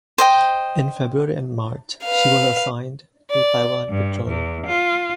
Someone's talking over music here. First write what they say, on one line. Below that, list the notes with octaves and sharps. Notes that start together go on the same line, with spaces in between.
In February and March, she was assigned to Taiwan patrol.
C5 D#5 G5
B4 F5
D5
G2
E2
F4